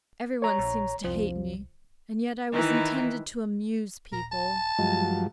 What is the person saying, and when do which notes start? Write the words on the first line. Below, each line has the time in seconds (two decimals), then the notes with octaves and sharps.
"Everyone seems to hate me, and yet I was intended to amuse people."
0.42 C#5 A#5
0.59 A#1
1.04 C2 F2 F3
2.53 D#3 E3 D#4 E4
4.13 D#1 A#5
4.32 A5
4.79 G2 F3 F#3 G#3